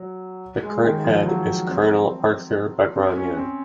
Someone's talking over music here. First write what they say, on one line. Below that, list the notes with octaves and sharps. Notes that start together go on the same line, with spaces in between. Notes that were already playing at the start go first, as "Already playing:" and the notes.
The current head is Colonel Arthur Baghramyan.
Already playing: F#3
G#3
D#3
F3
F#3
C4
C4
C#4
C4